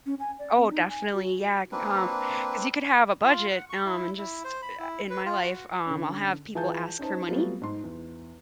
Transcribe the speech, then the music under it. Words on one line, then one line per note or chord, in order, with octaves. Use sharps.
Oh, definitely, yeah, can um 'cause you could have a budget, um, and just uh, in my life um, I'll have people ask for money,
C#4
G#5
D5
C4
D#4
G#5
F#4
A#3 C4 D4 B4
F4
F#5
C#6
E4
E4
C5
B5
E4
B4
F4
F#4
D3 C#4
E3 F4 G#4 G#5 A5 G6
C#4 D#4 C5 A5
F#3 G3 A3 B3 C4 F4
G#2 C6
E2